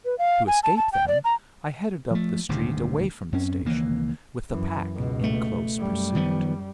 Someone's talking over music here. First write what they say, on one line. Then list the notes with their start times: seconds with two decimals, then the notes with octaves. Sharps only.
To escape them, I headed up the street away from the station, with the pack in close pursuit.
0.05 B4
0.18 F5
0.48 G#5
0.64 A5
0.77 A5
0.92 G5
1.08 D5
1.25 A#5
2.11 F3 A3
2.49 D#1 D2 G#2 C3
3.32 F#2 C4 C#4
3.65 C#2 D#3 E3 A#3
4.49 F#2 E3
4.95 C#2 B2
5.24 A3
5.78 F#2 G3
6.15 D#3 F3 B3